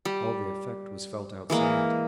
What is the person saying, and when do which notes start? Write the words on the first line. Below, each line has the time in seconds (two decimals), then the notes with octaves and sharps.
All the effect was felt outside.
0.05 G3
1.50 E3 G#3 A#3